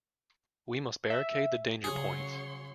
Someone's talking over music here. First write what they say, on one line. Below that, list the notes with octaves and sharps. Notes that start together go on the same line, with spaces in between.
We must barricade the danger points.
E5
C#3 F#3 G#4 C#5 C6 C#6